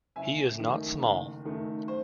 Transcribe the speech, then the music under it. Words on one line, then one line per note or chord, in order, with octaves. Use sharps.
He is not small.
F#1 E5 G#5
F#2 D#3 A3
F#1
F#2 D#3 A3
C5